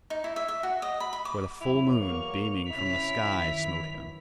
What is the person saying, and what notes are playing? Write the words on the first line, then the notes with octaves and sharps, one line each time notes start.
For the full moon beaming from the sky smote him.
D#4
E4
E5
E5
F#4
D#5
B5
B5
D6
E2 F#3 E4 F7
A#3 C#6
C3 C#4 E4 B6
F#2 D#3 E3